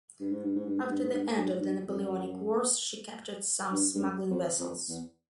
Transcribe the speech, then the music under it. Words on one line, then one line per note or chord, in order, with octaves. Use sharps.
After the end of the Napoleonic Wars she captured some smuggling vessels.
G2
G#2
G2
G#2
G2
G#2
G2
G#2
G2
G#2
G2
G#2
G2
F2
F#2
G2
G2
F#2
F2
F2
E2